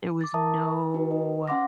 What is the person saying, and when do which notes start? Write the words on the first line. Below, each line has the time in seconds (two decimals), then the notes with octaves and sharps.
there was no,
0.21 D6 A6
0.34 A#4 E5 A5 A#5 D#6
0.94 D#4 F#4 B4
1.11 D#5
1.48 C#4 F5 F#5 C6 D6 A#6